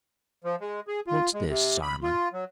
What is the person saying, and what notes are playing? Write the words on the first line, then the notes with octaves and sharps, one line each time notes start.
"What's this, Simon?"
F3
G#3
G#4
F4
G#3
C3
B5
F4
F#3